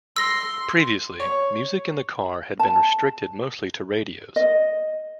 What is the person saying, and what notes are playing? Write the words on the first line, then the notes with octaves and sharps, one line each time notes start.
Previously, music in the car had been restricted mostly to radios.
C6 E6 A#6
C#5
A5
D#5